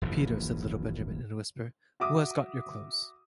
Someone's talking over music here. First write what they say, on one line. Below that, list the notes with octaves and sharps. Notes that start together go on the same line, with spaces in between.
"Peter," — said little Benjamin, in a whisper — "who has got your clothes?"
D#1 A#1 F#2 E3
F#4 E5 D6 D#6